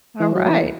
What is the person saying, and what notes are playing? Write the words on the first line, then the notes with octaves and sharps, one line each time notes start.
All right.
E3
F#3
F#3
E3